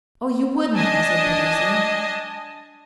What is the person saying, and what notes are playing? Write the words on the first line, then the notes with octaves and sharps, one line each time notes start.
"Oh, you wouldn't," I said piteously.
D4 D#5 G#5 A5